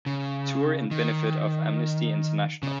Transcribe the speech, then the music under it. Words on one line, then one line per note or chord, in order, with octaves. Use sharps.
Tour in benefit of Amnesty International.
C#3
D#3
C#3